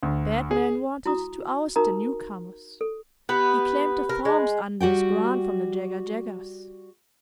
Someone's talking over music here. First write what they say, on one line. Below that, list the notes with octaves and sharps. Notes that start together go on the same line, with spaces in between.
Batman wanted to oust the newcomers; he claimed the farms under his grant from the Jagga-Jaggas.
D2
G#4
E4 F#4 A#5 D#6
D#4 F#4 A#4 A#5 D#6
A4
B3 G4 B4
A#4
G#3
G3 F#4 F#5 G5